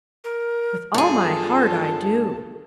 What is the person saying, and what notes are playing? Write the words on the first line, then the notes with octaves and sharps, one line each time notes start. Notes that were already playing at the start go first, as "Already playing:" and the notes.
"With all my heart I do."
A#4
G2 F4 G#4 A4 A5